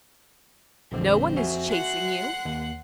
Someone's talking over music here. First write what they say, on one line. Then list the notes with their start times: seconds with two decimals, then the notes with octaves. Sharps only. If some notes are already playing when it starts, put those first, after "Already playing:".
No one is chasing you.
0.92 A#1 F2 D3 G#3 C4
1.37 F#4 E5 G#5
1.70 F#5 C6 F#6
2.45 D#2